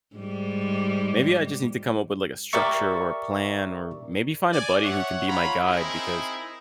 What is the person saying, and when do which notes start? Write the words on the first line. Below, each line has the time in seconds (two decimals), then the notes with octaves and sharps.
maybe I just need to come up with, like, a structure, or a plan, or maybe find a buddy who can be my guide, because,
0.16 G#2 G3
2.53 G4 A#4 D5 E5 C#6
4.52 D5 G#5
4.83 C#5 E5 F#5
5.28 F4 C#5 A#5 B5
5.65 C4 D#4 E4 G#4 A#4